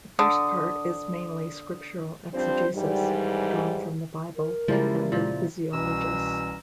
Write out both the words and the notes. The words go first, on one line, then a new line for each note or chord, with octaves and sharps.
The first part is mainly scriptural exegesis, drawn from the Bible and the "Physiologus".
D3 D#6
F3 G3 C4 D4 C5
G#2 D#3 E3 G3
A#4
C#3 F3 G3 G#3 A#3 E4
A#2 F3
C2 B2 E3 C#4 A#5 E6